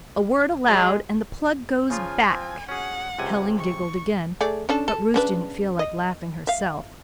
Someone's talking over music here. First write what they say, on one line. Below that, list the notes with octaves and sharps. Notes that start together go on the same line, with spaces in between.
"A word aloud and the plug goes back." Helen giggled again, but Ruth didn't feel like laughing herself.
F#3 G#3
C#3 F3 F4 G#5
F3 C4
C#4 F#4 G#4 F#5
C#2 C3 G#5
C#6
A3 G#4 D5
C#4 D4 A4
A4
C#3 D4 B4
D#5
E5 F5